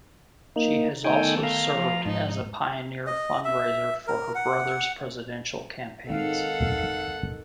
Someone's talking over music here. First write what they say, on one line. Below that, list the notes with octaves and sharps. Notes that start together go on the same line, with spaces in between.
She has also served as a pioneer fundraiser for her brother's presidential campaigns.
A#3 D#4
D#3 A3 B3 D#4 G5 G#5
F5 A#5
F3
G#2 D#4
D#5
E5
A#4
F#5
D#3 G#3 C4 A4 F5 F#5